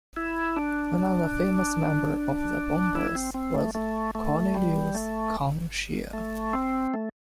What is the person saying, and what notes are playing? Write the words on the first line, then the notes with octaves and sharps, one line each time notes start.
Another famous member of the Bombers was Cornelius "Con" Shea.
E4
D4
E4
C4
C4
A3
A3
A3
G3
A3
A3
C4
A3